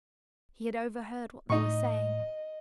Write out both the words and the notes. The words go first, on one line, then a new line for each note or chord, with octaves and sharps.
He had overheard what they were saying.
A2 D#4 D#5 C#6